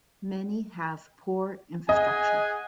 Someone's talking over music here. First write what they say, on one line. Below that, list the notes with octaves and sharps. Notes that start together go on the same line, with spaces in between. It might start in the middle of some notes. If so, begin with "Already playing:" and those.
Many have poor infrastructure.
G#4 D#5 F#5 G#5